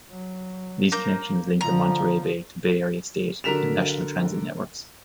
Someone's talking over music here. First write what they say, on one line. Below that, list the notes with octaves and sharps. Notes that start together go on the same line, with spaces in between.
These connections link the Monterey Bay to Bay Area, state, and national transit networks.
F#3
A#3 A#5 G6
D3 F3 A#5
D3 F#3 A#4 B6 E7 F7